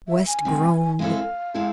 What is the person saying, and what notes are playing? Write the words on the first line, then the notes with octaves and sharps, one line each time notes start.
West groaned.
E5
G#5
C3 G#3 C4
G#3 C4 E4 A4 F5
G#3 C4 E4 A4